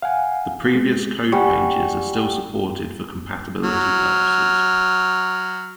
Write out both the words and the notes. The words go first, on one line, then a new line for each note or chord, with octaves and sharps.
The previous code pages are still supported for compatibility purposes.
F5 F#5 G#5
G#3
G3 F#5 G#5 C#6
F#3 F6